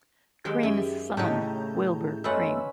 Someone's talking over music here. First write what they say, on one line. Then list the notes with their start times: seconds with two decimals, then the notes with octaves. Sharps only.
Cream's son, Wilbur Cream.
0.45 D#3 F#3 G#3 G4
0.63 F#2 G4 G#4 E5
1.17 A2 C#3 D4 D#4 G4 A5 A#5 G6
2.24 F#2 A3 C#4 D#4 F4 B4 F#5 E6